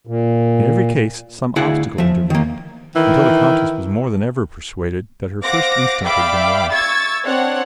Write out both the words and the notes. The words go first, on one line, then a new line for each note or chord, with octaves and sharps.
In every case some obstacle intervened, until the Countess was more than ever persuaded that her first instinct had been right.
A#2
D2 E4 G#4 F5 F#5
F3 E5
D#3 A#3
D#3 E3 E4
C5 F5 F#5 D6 A#6
D5 E5 F5 G5 B5 D6
C#6 E6 G#6 A6
C4 D4 C5 C#5 F#5